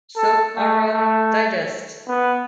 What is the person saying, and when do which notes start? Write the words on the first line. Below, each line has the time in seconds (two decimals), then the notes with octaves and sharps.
"Soap Opera Digest".
0.16 A4
0.55 A3
0.93 A3
2.08 B3